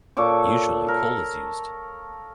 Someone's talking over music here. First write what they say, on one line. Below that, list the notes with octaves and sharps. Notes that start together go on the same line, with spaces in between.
Usually, coal is used.
A#2 A4 C#5 D6
A4 A#4